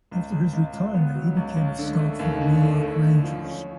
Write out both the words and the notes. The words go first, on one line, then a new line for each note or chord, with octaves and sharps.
After his retirement, he became a scout for the New York Rangers.
C#2
C#2
C#2
C#2
B3
F#3
C#2
C#2
D3
A3
D#2
D3
A3
A3
D3
F3
C#4